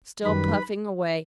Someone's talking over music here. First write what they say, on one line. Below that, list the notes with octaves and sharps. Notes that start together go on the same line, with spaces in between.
Still puffing away.
F#2 D#3 G3 B4 B5